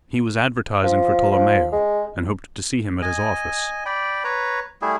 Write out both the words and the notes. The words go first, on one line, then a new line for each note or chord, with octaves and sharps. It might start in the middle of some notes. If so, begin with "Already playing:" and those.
He was advertising for Tolomeo, and hoped to see him at his office.
F3
F3
G#3
D#5 G#5
D5 G5 B5
B4 C#5 A#5
G3 A3 E4 G#4